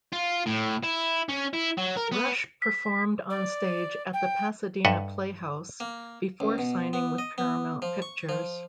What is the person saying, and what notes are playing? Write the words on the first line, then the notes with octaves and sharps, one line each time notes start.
Rush performed on stage at the Pasadena Playhouse before signing with Paramount Pictures.
F4
A2
E4
C#4
E4
F#3
A#4
B3
B6
D5
G5
G2 A4 D#5 E5 F#5
A#3
C#2
B2
B3
D#5
B3
F3
C#6
F3